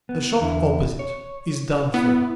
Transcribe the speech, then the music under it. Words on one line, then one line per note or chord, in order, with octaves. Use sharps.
The shop opposite is done for.
B3
E2 D3 E4
C#5
B3 E4